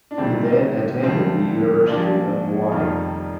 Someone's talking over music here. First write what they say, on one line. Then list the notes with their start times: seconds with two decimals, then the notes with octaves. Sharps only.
He then attended the University of Hawaii.
0.11 D4
0.18 D2 C3 D#3 G3 C4
1.02 D2 D3 F3 C4
1.87 A#1 A#2 F3 D4
2.71 F1 F2 D#3 G3 F4